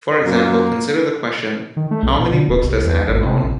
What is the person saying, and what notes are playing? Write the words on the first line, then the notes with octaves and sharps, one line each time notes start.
For example, consider the question How many books does Adam own?
F#2 A#3
D#3
A3
B1
B2
D3
D#1
C2
E2
G#1
C3
A#1